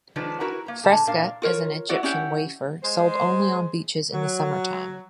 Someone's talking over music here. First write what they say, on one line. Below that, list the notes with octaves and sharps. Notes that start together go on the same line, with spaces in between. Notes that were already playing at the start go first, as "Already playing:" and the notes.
"Freska" is an Egyptian wafer sold only on beaches in the summertime.
D#3 F3 G#3 D4 B4
E4 F#4 A#4 B4 A#5
A#3 A#5
A#2 D3 G#4 A5
A#2 D4 A#4 F5
F4 A#4 C#5
E4 F#4 D5 F#5
C#4 E4 G4 F#5
G#3 C5
F#3